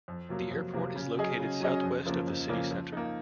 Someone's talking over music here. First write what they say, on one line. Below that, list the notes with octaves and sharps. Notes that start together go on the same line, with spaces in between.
The airport is located southwest of the city centre.
F2
C3 F#3 A#3
F2
C3 F#3 A#3
C#3
F#3 C#4 G#4 D#5
C#3
F#3 C#4 G#4 D#5
F2
C#3 F3 A#3
F2
C#3 F3 A#3
F3
A#3 D#4